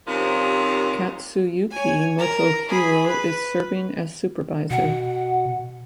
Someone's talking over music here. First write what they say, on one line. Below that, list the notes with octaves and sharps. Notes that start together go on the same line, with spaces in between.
Katsuyuki Motohiro is serving as supervisor.
D#2 C3 F3 A#3 C#4 D#4
C#5 G#5
A#4 A#5
G#4 B5
B4
B2 F#5